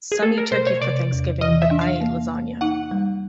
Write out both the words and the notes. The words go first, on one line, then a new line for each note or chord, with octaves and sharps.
Some eat turkey for Thanksgiving, but I ate lasagna.
G#4
A3 A4
A#4
B2 C5
C#5
C3 D5
E2
E3 D#5
E5
D4
F5
A#3
A#3
D#4 F#5
G3